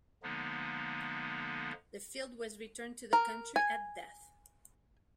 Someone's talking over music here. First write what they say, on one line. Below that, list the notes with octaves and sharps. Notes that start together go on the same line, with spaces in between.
The field was returned to the country at death.
D3 F3 G#3 A#3 B3 D#4
A#4
G#5